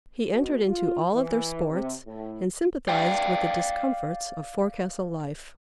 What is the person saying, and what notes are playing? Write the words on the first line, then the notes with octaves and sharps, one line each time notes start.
He entered into all of their sports and sympathized with the discomforts of forecastle life.
B2
F4
E3
C3
A2
D5 F5 G5